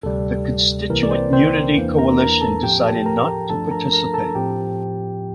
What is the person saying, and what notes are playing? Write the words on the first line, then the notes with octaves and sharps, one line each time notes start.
The Constituent Unity coalition decided not to participate.
D2 C3 G3 A4
C2 C3 E3 A#3 A#4
D5
C4 C5
C4 C5
A#4
E2 E3 A#3 D4
A#4 A#5
A#4 A#5
A4 A5
A2 F3 C4 G4 G5
A4 A5
A#4 A#5
G2 F3 A3 D4 A4 A5
A#4 A#5
A#4 A#5
A4 A5
A2 F3 C4 G4 G5